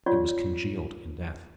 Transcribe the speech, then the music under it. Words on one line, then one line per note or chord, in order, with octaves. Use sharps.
It was congealed in death.
F4 F#4 C#5 D5 F#5 C#6